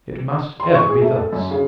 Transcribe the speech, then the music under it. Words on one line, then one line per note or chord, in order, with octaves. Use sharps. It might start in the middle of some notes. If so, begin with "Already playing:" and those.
It must ever be thus.
C6
C#6
G#4
A3
A4
F#2
C#3